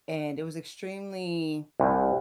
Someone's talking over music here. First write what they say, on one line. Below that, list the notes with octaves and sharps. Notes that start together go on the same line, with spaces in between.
and it was extremely
C2